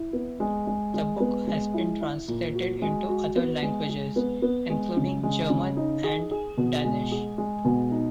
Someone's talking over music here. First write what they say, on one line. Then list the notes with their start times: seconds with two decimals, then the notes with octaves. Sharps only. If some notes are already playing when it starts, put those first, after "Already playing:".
The book has been translated into other languages, including German and Danish.
Already playing: E4
0.13 B3
0.40 G#3
0.67 G#3
0.94 G#3
1.20 B3
1.47 G#3
1.74 E4
2.01 E4
2.28 A#2
2.55 F#4
2.82 G#3
3.09 F#4
3.36 B3
3.62 G#3
3.89 G#3
4.16 B3
4.42 B3
4.70 G#3
4.97 C#3
5.23 G#3
5.50 C#3
5.77 D#4
6.04 G#4
6.31 G#4
6.57 B2
6.85 G#3
7.12 G#4
7.38 G#3
7.65 B2
7.92 D#4